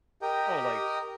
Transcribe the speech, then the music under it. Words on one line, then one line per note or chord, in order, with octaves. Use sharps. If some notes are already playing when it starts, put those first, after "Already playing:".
"Oh, like,
G4 A#4 D#5 G5